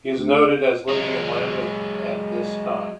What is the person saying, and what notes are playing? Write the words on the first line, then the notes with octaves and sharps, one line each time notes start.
He is noted as living in Lambeth at this time.
D2
F#3 G#3